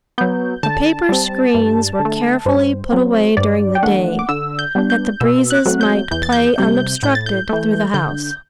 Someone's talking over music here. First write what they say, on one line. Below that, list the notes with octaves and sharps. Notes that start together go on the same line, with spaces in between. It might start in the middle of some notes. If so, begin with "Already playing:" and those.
The paper screens were carefully put away during the day, that the breezes might play unobstructed through the house.
F#3 B3 G6
D3 A5
G3 C4
G2
D3
A3
G2 C5
F#3 C4
G2 D5
G5
E3 A3 D4 F#5
D6
D3 E6
G6
G3 B3 D4
G6
B2 E6
F#6
F#3 A3 C4
G6
E2 G6
A6
G6
C3 G3
A2 G6
A6
G6
E3 A3
D3 G6